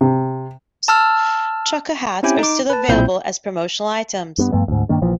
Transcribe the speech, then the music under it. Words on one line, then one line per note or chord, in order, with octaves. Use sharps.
Trucker hats are still available as promotional items.
C3
A5 E6 F6
C4 C#4 E4 G4 G5 G#5
D#4 D6
B4 A5
B1 A#2 C4 E4 G6
G2 B3
G2 F3 A3 B3
D2 G#2
G2 D#3 A#3 D4
A#1 A#2 E3 F3